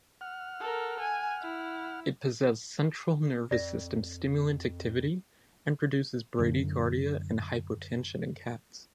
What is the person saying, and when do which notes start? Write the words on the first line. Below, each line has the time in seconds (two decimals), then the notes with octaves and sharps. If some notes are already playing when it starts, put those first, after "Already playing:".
It possess central nervous system stimulant activity and produces bradycardia and hypotension in cats.
0.21 F#5 F6
0.60 A4 A#4
1.00 G#5
1.42 E4
3.51 F2 D5 A#6
6.39 F#2 D3